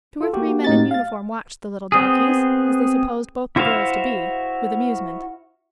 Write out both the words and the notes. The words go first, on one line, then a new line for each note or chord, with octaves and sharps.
Two or three men in uniform watched the little "darkies," as they supposed both the girls to be, with amusement.
F4 A4
A#3 F#4 G4
A2 D#4 A6
F5 A6
B3 C4 G#4
E4 F#4 C5 E5 F5